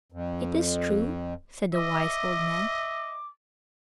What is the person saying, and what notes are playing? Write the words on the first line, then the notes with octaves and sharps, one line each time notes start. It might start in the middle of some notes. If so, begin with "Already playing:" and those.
"It is true," said the wise old man.
F2
D#5 E5 D6